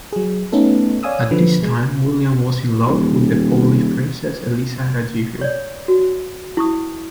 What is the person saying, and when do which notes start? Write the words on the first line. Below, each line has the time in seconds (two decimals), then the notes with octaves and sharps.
At this time, William was in love with the Polish Princess Elisa Radziwill.
0.12 F#3 G#4
0.52 A3 B3 C#4 D#4 A4
1.03 C#5 D5 F5 G#5 D#6 E6
1.31 D3 F3 B4
1.59 B2 G#3
2.88 D#1
5.41 C#5 D5
5.88 F#4
6.57 E4 C#6 D#6